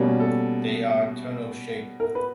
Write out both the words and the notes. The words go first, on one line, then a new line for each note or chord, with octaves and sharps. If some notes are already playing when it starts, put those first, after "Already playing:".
They are tunnel-shaped.
Already playing: B2 G3 A#3 C#4
A4
A#4
B4